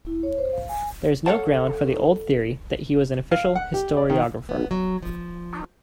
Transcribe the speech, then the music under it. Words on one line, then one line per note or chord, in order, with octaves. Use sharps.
There is no ground for the old theory that he was an official historiographer.
E4
C#5
C5
F5
G#5
A4 B4 C#5 F5 F#5 A5
F5
F#5
G4
D5
D#3
B3
F#3
F3